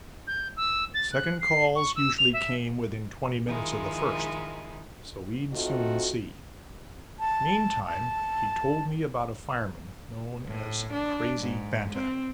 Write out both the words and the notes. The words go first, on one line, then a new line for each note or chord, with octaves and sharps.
Second calls usually came within twenty minutes of the first, so we'd soon see. Meantime, he told me about a fireman known as "Crazy" Banta.
G6
E6
A6
F#6
C7
C#6
E6
F7
E5
D#3 F3 G#3 E4
A3 C4 D#4 F4 F#4
A5
A5
A2
D4
G#2
C4